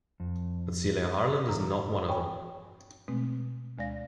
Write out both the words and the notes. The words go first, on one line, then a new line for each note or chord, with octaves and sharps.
But Celia Harland is not one of them.
F2
G2 A#2 E3 A#5
F#4 C#5 G5 G#5 B5 C#6
B2 G#3 A3 C4
D2 G#3 D5 F5 A#6